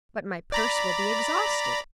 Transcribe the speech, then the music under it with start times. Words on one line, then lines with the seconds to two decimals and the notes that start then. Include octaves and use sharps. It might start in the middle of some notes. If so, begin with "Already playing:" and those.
"But my purse will be exhausted."
0.52 D5 A#5 B5